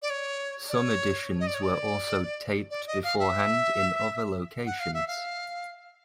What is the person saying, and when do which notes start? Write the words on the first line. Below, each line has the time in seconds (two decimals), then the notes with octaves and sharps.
Some editions were also taped beforehand in other locations.
0.02 D5
0.10 C#5
0.69 D5
0.75 C#5
1.40 D#5
1.47 D5
1.54 C#5
1.62 D5
2.70 D5
2.87 D#5
3.04 F5
3.19 E5
4.66 F#5
4.80 F5
4.94 E5
5.07 F5